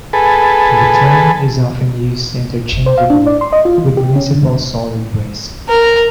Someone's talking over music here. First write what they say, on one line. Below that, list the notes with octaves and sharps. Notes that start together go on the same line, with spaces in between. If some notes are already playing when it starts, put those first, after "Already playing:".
The term is often used interchangeably with municipal solid waste.
G#4 A4 B4
G1
C5
F5
D4
D5
C6
D#5
F4
E3
G4
C#4
D3
A#4